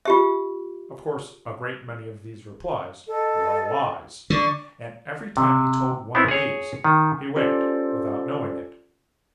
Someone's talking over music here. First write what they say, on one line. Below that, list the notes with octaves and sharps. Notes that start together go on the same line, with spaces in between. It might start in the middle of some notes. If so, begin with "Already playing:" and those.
Of course a great many of these replies were lies, and every time he told one of these, he winked without knowing it.
F4 G4 E5
A4 D#5
D3 D5 C#6 D6
C3
B3 C4 E4
G#4 C#5
D#3
C#4 F4 G4 A4 C5 D5